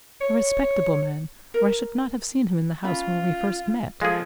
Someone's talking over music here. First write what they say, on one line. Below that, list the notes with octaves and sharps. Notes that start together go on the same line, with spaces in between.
"A respectable man, or I should not have seen him in the house where we first met."
C#5
A#4
C#4 F4 E5 B5
F3 G#3 G#4 A4 F5